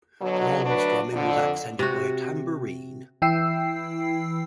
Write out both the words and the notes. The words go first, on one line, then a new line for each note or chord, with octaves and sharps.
Grohl's drumming was accented by a tambourine.
B2 D3 F#3
D2 F#3 D4 F#4 B4
F2 D3
C3 F#4
E3 E4 G5 E6 C7